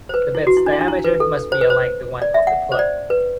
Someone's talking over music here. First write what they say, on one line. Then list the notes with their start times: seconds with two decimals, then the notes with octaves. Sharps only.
The bit’s diameter must be alike the one of the plug.
0.09 C5
0.14 B4
0.35 E4
0.47 F#4
0.57 E4
0.66 D4
0.73 E4
0.81 D4
0.88 E4
1.04 B4
1.20 A4
1.52 C5
1.61 B4
1.70 C5
2.22 D5
2.34 E5
2.47 F#5
2.72 C5
2.79 D5
3.10 B4